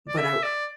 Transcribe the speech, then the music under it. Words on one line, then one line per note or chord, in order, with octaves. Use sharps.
but, I
D5
E5
D5